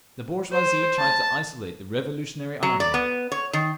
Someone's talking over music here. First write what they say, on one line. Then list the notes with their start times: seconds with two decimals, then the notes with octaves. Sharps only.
The bourgeoisie tried to isolate the revolutionary army.
0.53 C5
0.99 A5
2.63 F#3
2.80 D5
2.94 B3
3.32 C#5
3.53 D#3